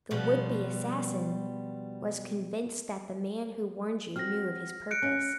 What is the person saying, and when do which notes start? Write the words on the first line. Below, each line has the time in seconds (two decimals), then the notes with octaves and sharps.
The would-be assassin was convinced that the man who warned you knew of his purpose.
0.11 B2 F3 G3
4.16 C4 F#4 F6 A#6
4.91 F#6 C#7 D7
5.02 C#4